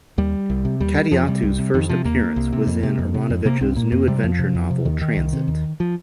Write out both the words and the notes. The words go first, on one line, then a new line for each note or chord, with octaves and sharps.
Kadiatu's first appearance was in Aarononvitch's New Adventure novel "Transit".
D#2 G3
C2
C3
D#2 G3
F2 F3
C3 G3
C2
C3
F2 D#3
C3 F3
D#2 A#3
C2
C3
F2
C3
F2
C3
F2
C3 A#3
C2 C4
A#2 A#3
F2 A#3
C3 G3
F2 F3
C3
F2
C3
D#2 D#3
D#3
C2
C3
D#2
F3